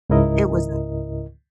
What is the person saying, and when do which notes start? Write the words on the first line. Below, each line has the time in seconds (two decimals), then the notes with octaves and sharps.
it wasn't
0.10 C#2 G#2 C#3 E4 A#4 D#5